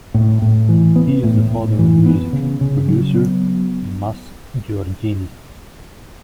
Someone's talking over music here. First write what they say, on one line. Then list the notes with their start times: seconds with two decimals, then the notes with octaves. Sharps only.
He is the father of music producer Mass Giorgini.
0.14 A2
0.42 A2
0.69 E3
0.96 B3
1.23 A2
1.50 A2
1.79 E3
2.06 B3
2.33 C#3
2.61 C#3
2.88 F#3
3.15 B3